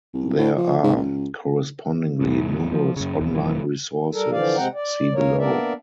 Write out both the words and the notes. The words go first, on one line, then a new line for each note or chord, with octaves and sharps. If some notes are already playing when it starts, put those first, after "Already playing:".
There are, correspondingly, numerous online resources; see below.
C2
A2
F3
G#2
C#2
E2 A2
F3
F#2 C#3
E1 D#2
E1 F#2 E3
G3 A4 A#4
D3 E3 F3 D5 F5
C3 G#3 C4 F#5 G5 A#5
D5
D#2 A#3 A#4 C#5
A#3 B3 D4 A#4 D5 E5